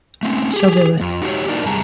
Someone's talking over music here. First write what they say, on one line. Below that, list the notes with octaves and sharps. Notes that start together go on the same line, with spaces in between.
She'll do it.
A3 C4 C#4
G4 G#4
F2
D#4 F#4 G4 C#5
A#3 D4 D#4 F#4 A#4 D5
F#2 C3 G3 G#4 A5 A#5